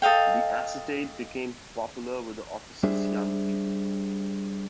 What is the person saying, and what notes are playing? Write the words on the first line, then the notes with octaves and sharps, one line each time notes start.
The acetate became popular with the office's young people.
A4 D#5 F5 G5
G3 D4 G#4 C5 E5